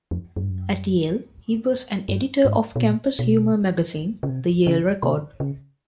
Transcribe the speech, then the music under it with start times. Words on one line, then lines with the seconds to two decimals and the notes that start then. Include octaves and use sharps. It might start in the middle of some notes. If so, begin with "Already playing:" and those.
At Yale, he was an editor of campus humor magazine "The Yale Record".
0.11 F2
0.36 F#2
0.43 G2
0.50 F#2
2.09 G2
2.45 G#2
2.76 B2
2.82 A#2
3.19 B2
4.23 C#3
4.29 C3
4.67 C#3
5.03 C3
5.40 C#3